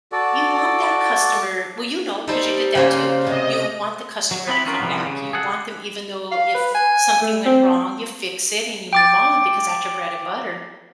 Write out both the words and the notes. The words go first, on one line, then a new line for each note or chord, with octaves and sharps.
you want that customer well, you know, 'cause you did that too you want the customer to come back, you want them even though if something went wrong, you fix it and you move on because that's your bread and butter.
F#4 A4 D5
G3 D#4 A4 C5
C#3 A#3 G#4 C5 F5
C3 D#5
F#3
B3 C4 E4 B5
B3 C#4 F4 F#4 A#4
C2 E3 F3 G3 B3
C#3
G#4 A4 F#5
F5
B4
G#5
A3
C4
G5 D6 A6